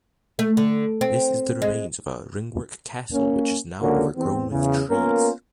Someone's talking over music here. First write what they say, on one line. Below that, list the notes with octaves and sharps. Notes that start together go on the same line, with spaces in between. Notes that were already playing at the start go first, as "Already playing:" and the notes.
This is the remains of a ringwork castle which is now overgrown with trees.
A3
D3
C4
G#3
A#3 C#4
C#2 D3 A#3 C#4 F#4
E2 C4
E2 C#3
A#3 B3 C#4 F4 A#4